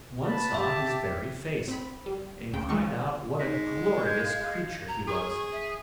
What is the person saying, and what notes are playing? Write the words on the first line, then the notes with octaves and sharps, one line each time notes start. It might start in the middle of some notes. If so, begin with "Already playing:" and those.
One saw his very face, and cried out what a glorious creature he was!
B4 A5 B5
G4 E5
C4 B5
G3
D2 C#3 G5
F3 G#3 C#4 C#6
G#3 D#4 A#6 B6
G6 G#6
F5
A#5
G#4 C#6
E5